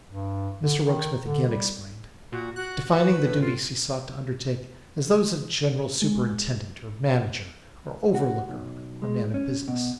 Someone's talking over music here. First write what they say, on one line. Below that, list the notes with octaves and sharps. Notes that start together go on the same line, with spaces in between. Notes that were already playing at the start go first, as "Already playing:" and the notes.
Mr Rokesmith again explained; defining the duties he sought to undertake, as those of general superintendent, or manager, or overlooker, or man of business.
G2
D3
D#3
D3
G3
A#2 F#4
F#4 F#6
F#4 B4
A2
F4
G#3
F#4
B1
G#3
C#4
B2